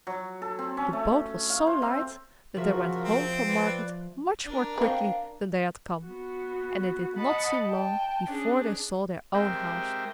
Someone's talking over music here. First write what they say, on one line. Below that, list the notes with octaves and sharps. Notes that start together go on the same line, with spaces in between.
The boat was so light that they went home from market much more quickly than they had come, and it did not seem long before they saw their own house.
F#3
A4
C4
C#4
A3
F5
C5
C4
C#3 F3 F#4 A#4 E5
C4
B4 D5
D4 A#4
C4 B4 F5
B3 F#4
D#5 F#5 A5 B5
G5 A5
C#4 D4 G#4
G#3 C4 G4 A#4 E5 G5